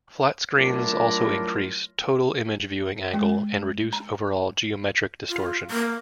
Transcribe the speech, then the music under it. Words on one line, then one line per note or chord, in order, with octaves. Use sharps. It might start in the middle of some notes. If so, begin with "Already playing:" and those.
Flat screens also increase total image viewing angle and reduce overall geometric distortion.
F#3 A3 D4 E4 F4 A#4
G#3
A#5
F4
A#3